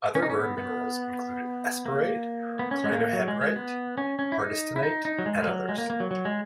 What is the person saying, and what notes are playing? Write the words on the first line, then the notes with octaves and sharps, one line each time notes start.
Other rare minerals include esperite, clinohedrite, hardystonite, and others.
C#4
D#4
C#4
B3
B3
A#3
B3
C#4
G#3
A#3
F#3
G#3
G#3
B3
C#4
C#4
E4
D#4
E4
D#4
D#4
F#3
G#3
G#3
F#3
G#3
A#3
A#3
F#3
F#3
G#3